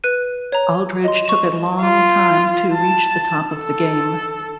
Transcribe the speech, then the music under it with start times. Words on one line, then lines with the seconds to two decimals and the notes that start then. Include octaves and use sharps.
Aldridge took a long time to reach the top of the game.
0.04 B4 F#6 D#7
0.52 C#5 A#5
1.04 D#5 C6
1.26 C#6 E7
1.81 F4
2.73 A5
3.54 A4